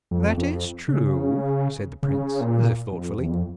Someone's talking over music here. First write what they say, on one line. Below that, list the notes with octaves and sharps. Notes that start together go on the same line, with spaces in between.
"That is true," said the Prince, as if thoughtfully.
F2
F2
C#3
C#3
A#2
F2
F2
E2
F2